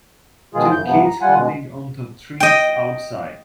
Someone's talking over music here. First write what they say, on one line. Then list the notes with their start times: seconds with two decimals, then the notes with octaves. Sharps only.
Two kids holding onto trees outside.
0.54 B2 D#3 F3 G#3 F4 G#4
0.72 F#2 C#3 G6
0.85 G2 C3 F3 B3
1.05 A#5
1.21 G3 F4 F#5 G#5
1.35 B2 G#3
2.40 D#5 G5